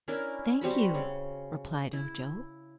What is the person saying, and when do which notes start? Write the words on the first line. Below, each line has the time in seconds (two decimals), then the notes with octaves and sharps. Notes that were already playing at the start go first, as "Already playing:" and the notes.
"Thank you," replied Ojo.
0.08 C#4 D4 E4 A#4
0.61 G3 C4 F#4 B5
0.94 C#3
1.93 E4